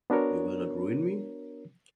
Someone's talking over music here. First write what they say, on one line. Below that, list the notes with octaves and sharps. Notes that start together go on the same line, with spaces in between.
You will not ruin me?
B3 D4 F#4 A#4 C#5